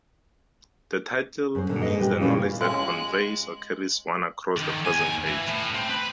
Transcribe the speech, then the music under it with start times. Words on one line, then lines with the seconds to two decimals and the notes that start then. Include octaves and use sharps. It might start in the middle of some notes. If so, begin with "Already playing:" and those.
The title means the knowledge that conveys or carries one across the present age.
1.55 F#2 C5
1.69 A#2 D3
1.82 G#2 B4 D#5
1.98 A#2 G3 G#3 G4
2.20 A#2 C#3 E3 G3 C#4 F4
2.61 G#3 C#4 F4 F#6
4.57 D3 D#3
4.86 D#2 G#5
5.27 E3
5.48 A2
5.75 C4
5.90 B4